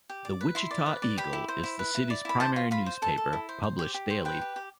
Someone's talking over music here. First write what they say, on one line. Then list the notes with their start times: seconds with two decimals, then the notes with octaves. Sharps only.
"The Wichita Eagle" is the city's primary newspaper, published daily.
0.09 G4
0.25 D5
0.41 B4
0.55 E4 C6
0.71 D5
0.86 B4
1.02 D5
1.18 G4 B5
1.33 E4
1.48 C5
1.63 E4
1.79 B4
1.95 E4
2.10 D5
2.25 E4 B5
2.40 C5 A5
2.56 F4
2.71 F4 B5
2.86 C5
3.02 A4 A5
3.18 A4
3.33 E4
3.49 C5
3.63 C5
3.79 G4
3.94 G4
4.10 C5
4.25 B4 G5
4.41 G4
4.56 G4